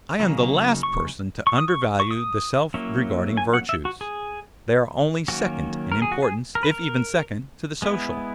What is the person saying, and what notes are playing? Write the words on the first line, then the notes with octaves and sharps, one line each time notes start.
I am the last person to undervalue the self-regarding virtues; they are only second in importance, if even second, to the social.
C#3 F#3 A#3 D#4
C#6
C#6
D#6
C#6
C#6
D#6
F#3 A#3 C#4 E4
G#5
F#5
E5
F#4
G#4
D#3 F#3 A#3 C#4 F#4
A#4
G#4
F#4
G#4
A#4
B4
A#4
G#3 B3 E4